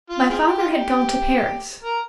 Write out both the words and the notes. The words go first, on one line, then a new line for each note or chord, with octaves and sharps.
My father had gone to Paris.
F4
C4 F4 G#4
G4
F4
G4
A#4